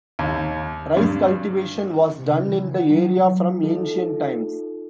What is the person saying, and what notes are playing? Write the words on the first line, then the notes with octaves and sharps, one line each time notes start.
Rice cultivation was done in the area from ancient times.
D#2
G2
C3
C#3
E3
E3
F#5
F#3
F#3
D#4 F4 A4